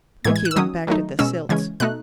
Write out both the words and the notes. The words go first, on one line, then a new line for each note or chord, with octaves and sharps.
Rickie went back to the Silts.
A2 E3 G#3 G#6
G#6
F#6
E6
D#3 F#3 C#4 D#6
D#3 F#3 A3 D#4
B2 G#3 C#4 E6
C#3 E3 G#3 C#4 G#6
B2 A3 D#4 F#6